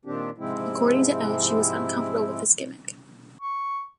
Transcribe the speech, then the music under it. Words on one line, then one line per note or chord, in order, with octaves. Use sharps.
According to Edge, he was uncomfortable with his gimmick.
A#2 D#3 C4 D4 G4
G#2 C3 F3 G#3 C4 E4
C#6